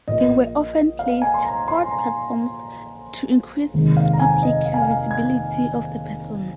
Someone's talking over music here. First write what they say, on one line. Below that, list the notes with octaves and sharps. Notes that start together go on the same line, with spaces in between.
They were often placed on platforms to increase public visibility of the person.
A#1 A#2 A#3 D#5
F5
G#5
C6
A#5
C6
A#5
F1 D#2 D#3 G#3
F5
A#5
G#5
D#5
F5
G#5
F5
G#6